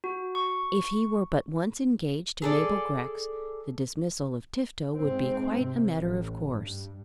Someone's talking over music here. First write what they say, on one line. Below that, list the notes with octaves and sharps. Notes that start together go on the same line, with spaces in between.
If he were but once engaged to Mabel Grex the dismissal of Tifto would be quite a matter of course.
F#4
C#6
G#4 A4 D5
G#2 C4
C3
A1
G2